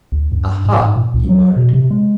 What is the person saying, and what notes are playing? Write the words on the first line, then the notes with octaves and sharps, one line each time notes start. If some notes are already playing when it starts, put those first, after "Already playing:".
"Aha!" he muttered.
D2
G2
G#2
G#2
A#2
C#2
F#3
B2
C3
G#3